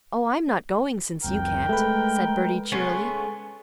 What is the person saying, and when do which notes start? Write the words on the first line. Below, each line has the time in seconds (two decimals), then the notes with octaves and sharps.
"Oh, I'm not going since you can't," said Bertie cheerily.
1.24 F1 C2 F2 A#4 G5
1.69 G#3 A3 B4
2.72 G#3 A3 B3 C#4